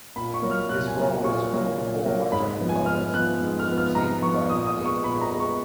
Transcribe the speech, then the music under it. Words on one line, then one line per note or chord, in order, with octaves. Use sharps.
His role as one of the four hijacker-pilots was preceded by Hani Hanjour.
A#2 B5
C#6
F#3 A#3
F6
A#2 F#6
G#5
F#3 A#3
A#2 C#6
F#3 A#3
A#2
F#3 A#3
G#2 B5
F3 B3
G#5
G#2 F6
F3 B3 F#6
G#2
F6
F3 B3
F6
G#2 A#5
F3 B3 C#6
A#2 D#6
D#6
G#3 B3
C#6
A#2 B5
A#5
G#3 B3
C#6